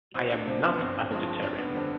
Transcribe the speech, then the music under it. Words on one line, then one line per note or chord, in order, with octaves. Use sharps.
I am not a vegetarian.
C2 C4
D4
C3 F3 C4
B3
B3
G1 C4
G2 F3 G#3
F1 D4
B3
D3 G3 C4